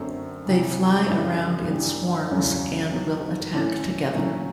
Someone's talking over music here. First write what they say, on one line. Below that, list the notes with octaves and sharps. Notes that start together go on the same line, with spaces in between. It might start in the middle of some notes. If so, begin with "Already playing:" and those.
They fly around in "swarms" and will attack together.
Already playing: F#2 D3 F#3 A3 C4
F2 C3 E3
F#2 C#3 E3 G3
G2 E3 G3 A#3
E2 C#3 F#3 A3 C#4
D#3 F#3 B3
A2 E3 A3 C#4
A#2 F#3 A3 C#4 E4